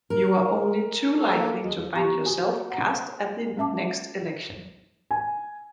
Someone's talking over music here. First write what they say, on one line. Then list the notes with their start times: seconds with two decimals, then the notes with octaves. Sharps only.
You are only too likely to find yourself cast at the next election.
0.10 A#4
1.18 A#3 A4
1.63 E2 G#3
1.95 B3 G4 A#5 C#6
2.26 F#4 G#5
2.70 F#5 A#5
3.57 G#3 C#4 E5 A5 D6
5.11 G#5